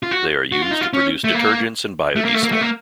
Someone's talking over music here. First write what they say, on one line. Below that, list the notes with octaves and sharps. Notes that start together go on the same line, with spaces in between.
They are used to produce detergents and biodiesel.
F4
F#4
F#4
F4
D#4
F4
C#4
A3
A#3
A3
A#3
A3
A#3
A3
A#3